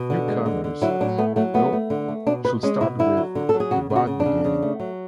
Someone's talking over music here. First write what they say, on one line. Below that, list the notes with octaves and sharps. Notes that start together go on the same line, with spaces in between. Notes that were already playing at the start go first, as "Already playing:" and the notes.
Newcomers, though, should start with "The Bad Beginning".
Already playing: B2
D3
G#3
D3
D3
F#3 E4
A2 D4
A3 B3
F#3 A3
A3 B3
A3
D3
A3
B2 D4
B2 B4
G#3 C#4
B2 E4
D3 E4
F#3
D3
F#3 A4
G#4
C#3 F#4
C#3
F#4
C#3
D4
C#3
C#3
A3
F#3